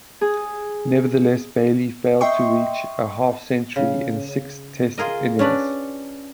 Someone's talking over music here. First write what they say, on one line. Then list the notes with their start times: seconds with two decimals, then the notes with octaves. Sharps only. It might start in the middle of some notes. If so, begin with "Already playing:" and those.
Nevertheless, Bailey failed to reach a half-century in six Test innings.
0.21 G#4
2.21 D#5 E5 G5 C6 C#6
3.76 C#3
4.97 F4 G#4 A#4 D#5
5.39 C#4 D4 B4 D5